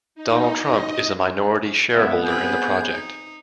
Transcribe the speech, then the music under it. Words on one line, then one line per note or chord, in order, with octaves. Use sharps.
Donald Trump is a minority shareholder in the project.
D#4
D#5
C#3 G#3 B3 E5
C4 E4 G#4 B4 G6
D#4